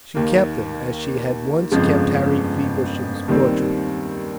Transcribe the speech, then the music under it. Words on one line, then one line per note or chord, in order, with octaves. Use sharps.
She kept them, as she had once kept Harry Feversham's portrait.
D#2 D#3 A#3
G1 F2 C#3 F3 G#3
D#2 D#3 G3 C4